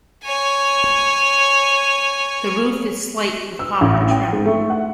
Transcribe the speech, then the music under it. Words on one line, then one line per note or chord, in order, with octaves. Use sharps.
The roof is slate with copper trim.
C#5 G#5
E6
A1
G5
G#2
A3
F#5